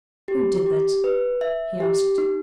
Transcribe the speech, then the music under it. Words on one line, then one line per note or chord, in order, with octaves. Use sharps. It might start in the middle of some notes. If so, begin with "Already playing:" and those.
"Who did that?" he asked.
G4
G4
B4
E5
G4
D#4